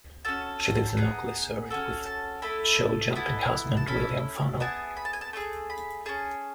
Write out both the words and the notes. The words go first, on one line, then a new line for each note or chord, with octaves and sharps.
She lives in Ockley, Surrey with show jumping husband William Funnell.
C#4 F#4 A4 A5
B3 D#4 G#4
C#4 F#4 A4
A5
A3 E4 A4 B5
B3 E4 A4
A5
C#4 E4 A4 B5
B3 E4 G#4 A5
B5
A5
G#5
A5
A3 D#4 G#4 A5
B5
C#4 G#4 A5